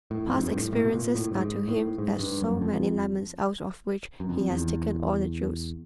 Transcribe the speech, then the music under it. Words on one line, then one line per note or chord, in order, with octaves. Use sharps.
Past experiences are to him as so many lemons out of which he has taken all the juice.
A2
F2
G#2
G2
A2
A2
B2
A#2
A2
G2
G#2
A2
G#2
G2
F#2
F2
F#2
F2
E2